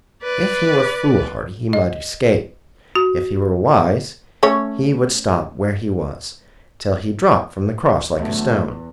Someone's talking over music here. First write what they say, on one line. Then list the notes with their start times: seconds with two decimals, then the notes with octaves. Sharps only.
If he were foolhardy he might escape; if he were wise he would stop where he was till he dropped from the cross like a stone.
0.23 B4 D5
1.73 D#5
2.95 F#4
4.43 A3 C#4 C#5
8.19 E2 D3 F#3 A3